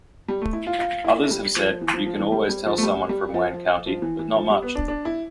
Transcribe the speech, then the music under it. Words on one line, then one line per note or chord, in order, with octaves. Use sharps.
Others have said, You can always tell someone from Wayne County, but not much.
G3
A3
E4
F4
F4
E4
G3
F3
E3
F3
F3
E3
G3
G3
F3
A3
G3
G3
F3
F3
E3
E3
F3
G3
B3
D4
D4
E4